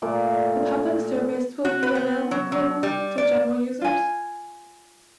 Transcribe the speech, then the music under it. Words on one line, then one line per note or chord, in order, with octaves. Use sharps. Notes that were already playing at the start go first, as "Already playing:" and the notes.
The public service will be available globally to general users.
A#2 A3 D5
F#4
B4
B3
F#3
F#3
G3
D5
F4 G#5